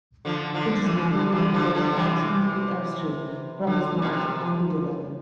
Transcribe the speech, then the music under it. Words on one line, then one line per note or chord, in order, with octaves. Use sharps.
It is navigable for approximately upstream from its mouth on the Delaware.
D3 F3
D3 F3
C3 E3
D3
C3 E3
D3 F3
D3 F3
C3 E3
D3
B2
C3